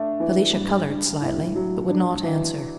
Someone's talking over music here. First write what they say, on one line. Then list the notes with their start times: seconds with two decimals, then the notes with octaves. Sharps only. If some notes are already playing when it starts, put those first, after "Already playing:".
Felicia colored slightly, but would not answer.
Already playing: A3 D4
0.20 E3
0.53 G2
0.88 D4
1.21 A2
1.55 F#3
1.89 D4
2.23 E3